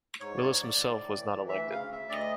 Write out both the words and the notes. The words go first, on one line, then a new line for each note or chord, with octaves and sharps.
Willis himself was not elected.
G#2 C#5
G#2 D5
C#5
G#2
D5
G#2
A2
A2
E3
E3
D2 E5
C#3
F5
D2
D2 E5
D5
D#5